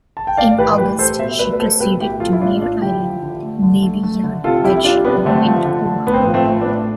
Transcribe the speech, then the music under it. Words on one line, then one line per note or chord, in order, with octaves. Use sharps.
In August, she proceeded to Mare Island Navy Yard where she underwent overhaul.
A5
G5
A2 D5 F5
E3 G4 B4
A2 G4 B4
G3 A4 C5
B2 C5 E5
A3 B4 D5
B4
A3 A4 C5
B2 G4 B4
A2 E4 G4
F3 F4 A4
E4
A2 D4 F4
A3 D4 F4
D3 E4 G4
F3
D3
A3
D3
A3
A3
D3
C3 F4 A4
G3 E4 G4
G3 D4 F4
C3 B3 D4
D3 A3 C4
F3
D3
A3
A2 B3
C4
B3
F3
A3 C4
A2
B3 D4
A3